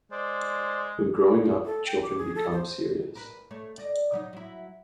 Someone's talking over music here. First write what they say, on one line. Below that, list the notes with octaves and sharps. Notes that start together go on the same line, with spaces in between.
When growing up, children become serious.
G#3 C5 D5
A4
G5
D6
G#4
A4
C5
A#4 B4
A3 C#5
D5 D#5
C#3 F#3 D#4
F#3 E4